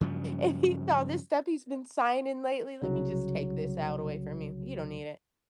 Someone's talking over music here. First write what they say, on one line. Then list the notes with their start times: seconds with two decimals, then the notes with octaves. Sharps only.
if he saw this stuff he's been signing lately, let me just take this out away from you. You don't need it.
0.01 G2 C#3 F3 F#3
2.82 C2 C#3 F#3